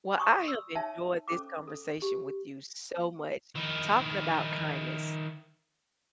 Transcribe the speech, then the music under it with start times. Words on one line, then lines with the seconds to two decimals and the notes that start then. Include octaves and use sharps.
Well, I have enjoyed this conversation with you so much, talking about kindness.
0.16 D5 G#5 C6 C#6 D#6
0.48 E6
0.75 D#4 C#5 E5 G#5 A5
1.28 C#4 A4 C5 D6
1.67 A4
2.02 G4
3.56 D#3 E4